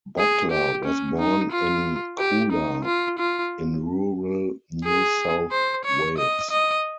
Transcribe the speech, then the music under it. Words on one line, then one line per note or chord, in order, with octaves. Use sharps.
Butler was born in Coolah in rural New South Wales.
G#4
G4
C#4
D#4
F4
G4
D#4
F4
F4
G#4
C5
C#5
D#5
D#5